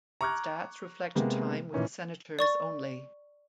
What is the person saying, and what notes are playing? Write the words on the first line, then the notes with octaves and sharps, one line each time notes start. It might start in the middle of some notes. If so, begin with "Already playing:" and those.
Stats reflect time with the Senators only.
A#5 C#6 D6 F6 F#6 G#6
C3 G#3 A#3 B3
A#2 E3 C#4 D#4
D5 C#6 A6